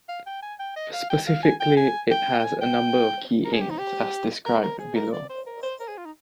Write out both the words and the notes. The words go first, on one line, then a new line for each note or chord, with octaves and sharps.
Specifically it has a number of key aims, as described below.
F5
G5
G#5
G5
D#5
F5
G5
F5
G#5
G5
G#5
G5
G5
G#5
G5
A#4
G#4
G4
D#4
G4
A#4
A#4
G#4
A#4
D5
C5
A#4
C5
A#4
G#4
F4
D#4